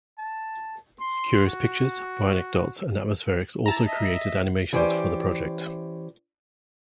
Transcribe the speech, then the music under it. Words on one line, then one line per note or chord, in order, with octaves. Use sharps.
Curious Pictures, Bionic Dots, and Atmospherex also created animations for the project.
A5
C6
F#4
E4 A5 A#5
D#5 E5
E3 C#4 G4 C5 D5